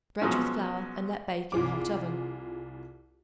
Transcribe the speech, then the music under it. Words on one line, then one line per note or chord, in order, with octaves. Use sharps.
Dredge with flour and let bake in a hot oven.
B2 F3 F#3 G#3 C#4
C2 F4 G#4 D6